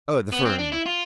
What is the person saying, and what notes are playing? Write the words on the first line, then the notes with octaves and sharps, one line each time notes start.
Oh, the firm.
B3
C4
D4
E4
F4